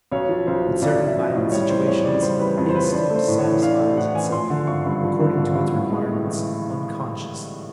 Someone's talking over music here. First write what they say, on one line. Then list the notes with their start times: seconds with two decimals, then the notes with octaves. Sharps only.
In certain violent situations instinct satisfies itself, according to its requirements, unconsciously.
0.12 B1 C#5
0.29 F3
0.47 B1 C5
0.65 A2
0.82 B1 D5
1.00 F3
1.06 E5
1.17 B1
1.29 D#5
1.35 A2
1.52 G3 C#5
1.70 E3 C5
1.87 F2 C#5
2.04 C#3 D5
2.22 G3 C5
2.39 E3 B4
2.58 F2
2.69 C5
2.75 C#3 B4
2.92 D4 C5
3.10 A3
3.16 C5
3.28 A2
3.39 C#5
3.45 E3
3.62 D4 F5
3.80 A3
3.97 A2 F#5
4.15 E3 G#5
4.32 F3 C6
4.50 D3
4.67 G#1 C#6
4.86 G2
5.03 F3
5.20 D3
5.37 G#1
5.55 G2
5.72 A2
5.90 G#3
6.07 A2
6.25 E3